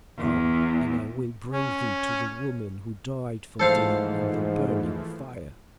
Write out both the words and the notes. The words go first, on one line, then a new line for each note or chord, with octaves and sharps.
Come and I will bring thee to the woman who died for thee in the burning fire.
E2
C#4
G#2 E3 F3 A3 A4 C5 F5